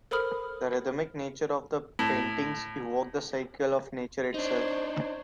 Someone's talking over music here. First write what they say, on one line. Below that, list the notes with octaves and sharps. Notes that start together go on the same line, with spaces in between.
The rhythmic nature of the paintings evoke the cycle of nature itself.
A4 A#4 C5 B5 D#6 F6
A2
D4 D#4 C5 C#5